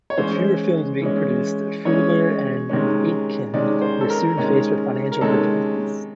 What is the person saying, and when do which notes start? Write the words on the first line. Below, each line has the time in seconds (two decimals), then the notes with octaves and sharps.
With fewer films being produced, Freuler and Aitken were soon faced with financial difficulties.
0.10 C#5
0.18 E3 G#3 C#4 C5
1.02 E3 G#3 C#4
1.85 E3 G#3 C#4 C#5
2.69 C3 D#3 G#3 C#4
3.53 C3 D#3 G#3 C#4 D5
3.82 C5
4.01 A4
4.10 A#4
4.37 C3 D#3 G#3 C#4
5.12 A#4
5.21 C3 D#3 G#3 C#4 A4